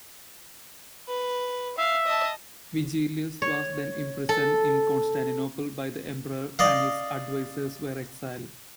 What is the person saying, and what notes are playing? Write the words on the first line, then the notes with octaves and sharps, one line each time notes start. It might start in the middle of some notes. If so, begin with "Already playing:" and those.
Vigilius was then imprisoned in Constantinople by the emperor and his advisors were exiled.
B4
E5 F5
D#5 A5
C#5
A4
D5 D#5 F5